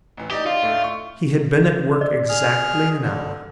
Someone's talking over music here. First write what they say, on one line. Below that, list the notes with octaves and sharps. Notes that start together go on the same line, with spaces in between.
He had been at work exactly an hour.
A1 E3
D#4 G4 D5 D#5
F4
A2 A3 D4
C#6
D5
G#4 F6
D3